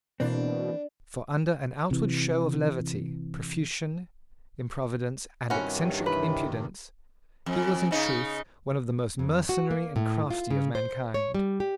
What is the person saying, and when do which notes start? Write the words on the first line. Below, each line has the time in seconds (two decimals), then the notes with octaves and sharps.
For under an outward show of levity, profusion, improvidence, and eccentric impudence, he was in truth one of the most mercenary and crafty of mankind.
0.20 B2 E3 A#3 C4 D4
1.91 C3 E3
5.50 G2 C3 D#3 C#4 E4 F#4
6.06 E3 B4
7.46 F2
7.91 C#3 D#4
9.19 F2
9.49 F#4
9.71 A#3
9.96 A2
10.31 F4
10.51 C#3
10.75 C5
11.14 C#5
11.35 G3
11.60 G4